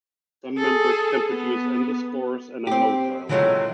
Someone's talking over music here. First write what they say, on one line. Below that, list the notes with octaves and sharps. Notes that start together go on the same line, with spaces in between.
Some members can produce endospores and are motile.
G#4 A4
B3
C4 G4
D#3 E3 F#3 G#3 A3 F4